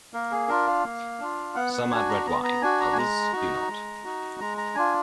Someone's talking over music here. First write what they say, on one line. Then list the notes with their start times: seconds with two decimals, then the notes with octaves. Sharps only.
Some add red wine, others do not.
0.14 A#3 A#4
0.32 G#4
0.49 D4 F4 A#4
0.67 F5
0.85 A#3
1.20 D4 F4
1.55 B3 F#5
1.73 F#5
1.91 D4 F#4 G#5
2.09 A#5
2.26 B3 A#5
2.44 A#5
2.62 D4 F#4 G#5
2.80 A#5
2.93 G#5
2.98 G#3 A#5
3.33 D#4 F#4
3.69 G#3
4.04 D#4 F#4
4.40 G#3 A#5
4.58 A#5
4.75 D4 F4 G#5